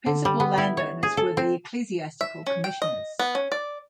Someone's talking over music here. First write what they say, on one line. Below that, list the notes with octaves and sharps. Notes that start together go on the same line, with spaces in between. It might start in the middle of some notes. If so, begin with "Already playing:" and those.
Principal landowners were the Ecclesiastical Commissioners.
D3
G3
B3
E4
C#5
G#4
A4
C4
E5
C#4
G5
D#5
B3
C#4
D5